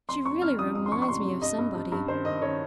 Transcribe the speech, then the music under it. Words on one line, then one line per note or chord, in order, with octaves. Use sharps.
She really reminds me of somebody.
F2 C6
F2 C#6
F2 F6
F3 D#6
F2 D#6
C6
F3 C#6
C#6
C3 C6
C3
G2 D#5
G2
G2
G2
D#3 C5
D#3 D#5
D#3 C#5